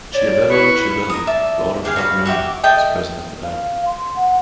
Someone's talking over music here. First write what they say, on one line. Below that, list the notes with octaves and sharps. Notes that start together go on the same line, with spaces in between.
Chiavello Chiavelli, lord of Fabriano, was present at the battle.
C#5 D5
E4 B4 C#6
A#4 D#6
D5 E5 A5
G4 G#4 F5
F#4 F5 B5
F#4 G4 E5 D6
A4 D#5 E5 G5
F5
C6
F#5